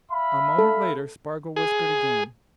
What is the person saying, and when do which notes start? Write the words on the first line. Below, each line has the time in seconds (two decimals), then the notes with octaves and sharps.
A moment later Spargo whispered again.
0.11 E5 F5 B5
0.58 A4
1.56 G#4